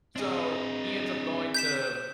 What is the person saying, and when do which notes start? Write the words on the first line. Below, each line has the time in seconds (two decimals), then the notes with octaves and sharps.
So, he ends up going to
0.16 C4 D4 G#4 D#5
1.55 G6 B6 E7